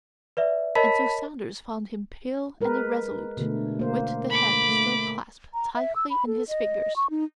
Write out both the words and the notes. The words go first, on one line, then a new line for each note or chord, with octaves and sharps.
And so Saunders found him pale and irresolute, with the hand still clasped tightly in his fingers.
B4 D5 E5
A#4 C#5 D#5 A5 B5 B6
G#3 A#4 B4
B2 D3 A3
A#3 C5
B5 D6
A3
A#5
E5
E6
B5
A4
D#5
C#6
D#4